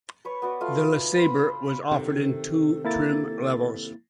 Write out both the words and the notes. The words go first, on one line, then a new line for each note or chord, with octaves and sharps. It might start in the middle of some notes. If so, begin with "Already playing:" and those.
The LeSabre was offered in two trim levels.
B4 C#5 C#6
B3 F#4 D5
A3 F4 A4
C5 B5
C#5 B5
C3 D#3 A4
A#3 E4 A6